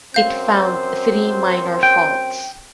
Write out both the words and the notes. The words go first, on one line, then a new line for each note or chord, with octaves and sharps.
It found three minor faults.
F#2 C4 C5 F5 G6
G5